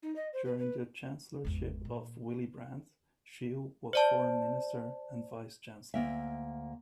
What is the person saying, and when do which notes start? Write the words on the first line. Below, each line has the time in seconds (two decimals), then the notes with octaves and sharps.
During the Chancellorship of Willy Brandt, Scheel was Foreign Minister and Vice Chancellor.
0.03 D#4
0.16 D#5
0.33 C5
0.45 B4
0.59 B4
1.45 G#1 E2
1.85 A#2
3.93 C5 D5 A5
5.94 D2 A#3 E5